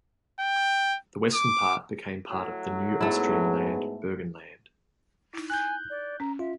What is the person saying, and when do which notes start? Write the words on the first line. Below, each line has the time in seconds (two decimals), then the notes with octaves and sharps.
The western part became part of the new Austrian land Burgenland.
0.39 G5
1.33 D6
2.30 A2 F#3
3.01 G#2 A3 B3 E4 G#4
5.34 D#4 E4
5.50 G#5 F#6 G6
5.90 D5
6.20 C#4 A#5
6.39 F4 E5